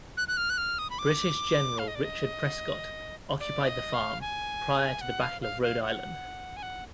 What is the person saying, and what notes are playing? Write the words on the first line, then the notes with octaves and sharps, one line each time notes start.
British General Richard Prescott occupied the farm prior to the Battle of Rhode Island.
F#6
F#6
F6
F#6
F6
D#6
B5
D6
F5
D#5
D5
D#5
D5
D#5
F5
G#5
F#5
F5
F5
F5
F#5
G#5
F#5